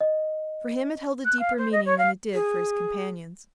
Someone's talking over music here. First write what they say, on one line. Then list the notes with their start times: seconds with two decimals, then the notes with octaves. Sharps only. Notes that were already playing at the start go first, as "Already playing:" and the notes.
For him it held a deeper meaning than it did for his companions.
0.01 D#5
1.25 F#6
1.39 F5
1.58 C5
1.72 D#5
1.86 C#5
1.98 F5
2.34 G#4